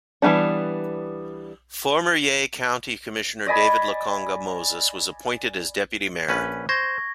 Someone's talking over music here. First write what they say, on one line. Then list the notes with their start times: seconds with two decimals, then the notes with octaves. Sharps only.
Former Yei County Commissioner David Lokonga Moses was appointed as deputy mayor.
0.22 E3 F3 G3 B3 D4
3.47 D5 D#5 G#5 B5
6.29 A#1 C#4 B4
6.69 C5 C#6 G#6 A#6